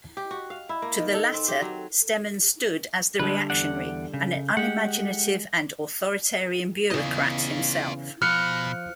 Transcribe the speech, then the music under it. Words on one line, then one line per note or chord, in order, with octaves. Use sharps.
To the latter Stemann stood as the reactionary, an unimaginative and authoritarian bureaucrat himself.
G4
F#4
F5
E4
A#3
D#3
A4
C4
G4
F#3
D3 G3 G#3 A4 B4
E2 D5 F#5
C#3
G#3 G4 F#5
E2 C#3 F4 D#5
B2 F3 F6 F#6 C#7